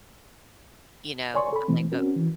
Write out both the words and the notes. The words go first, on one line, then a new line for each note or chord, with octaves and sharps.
you know? I'm like, uh,
C#5 D5 G#5 C6 C#6
A4 B5
B2 E3 A3 C4
C4 C#4 F#4 A#4
E3